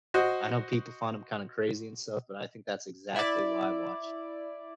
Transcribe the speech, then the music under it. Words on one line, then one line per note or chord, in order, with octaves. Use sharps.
I know people find him kinda crazy and stuff, but I think that's exactly why I watch
F#4 C5 D#5
E4 D5